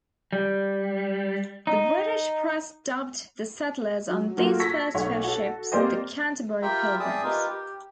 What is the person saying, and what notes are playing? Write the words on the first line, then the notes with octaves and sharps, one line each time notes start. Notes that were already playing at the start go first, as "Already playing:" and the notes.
The British press dubbed the settlers on these first four ships the Canterbury Pilgrims.
G3
D#4
F#3
F#3 A3 A#3 F4 F#4
C#6 E6 G#6 A#6 B6
B1 A3 C#5 F#5
F#4 A4
A#3 C4 G4 C5 D5 D#5
F4 G4 A#4 E5 G5 B5
C4 G#4 D5 E5 A5 D#6
D#4 F4 G4 A#4 B4
G4